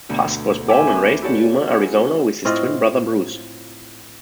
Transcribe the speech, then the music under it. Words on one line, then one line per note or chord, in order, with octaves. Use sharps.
Pask was born and raised in Yuma, Arizona with his twin brother Bruce.
D2 B2 D3
C5 E5 G#5 D6
C4 B4
E4 F#4 G4 A4 C#5 D5
C#4 E4 F#5
A2 C4 F4 D#5